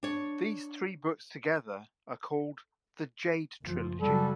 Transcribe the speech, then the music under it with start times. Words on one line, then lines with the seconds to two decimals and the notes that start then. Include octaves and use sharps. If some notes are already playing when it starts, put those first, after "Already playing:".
These three books together are called "The Jade Trilogy".
0.03 D4 C#5
3.63 F#1 F3
4.01 C#3 F#3 G3 A4